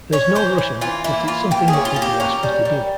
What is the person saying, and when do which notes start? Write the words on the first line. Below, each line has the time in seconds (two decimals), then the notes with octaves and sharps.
There's no rush on it, but it's something that Iggy asked me to do.
0.13 C#4 C#5
0.35 E3 C5
0.58 E3
0.81 E3 F4
1.04 A#3 E4
1.28 E3 F4
1.51 A#3 G4
1.68 G#4
1.73 C#4
1.85 F4
1.96 A#3
2.02 G4
2.20 C#4 A#4
2.43 G3
2.65 G3